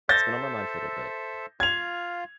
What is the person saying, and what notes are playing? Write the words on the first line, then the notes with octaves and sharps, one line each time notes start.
it's been on my mind for little bit
A4 C5 E5 G6 A6 A#6
F4 F5 G#6 F7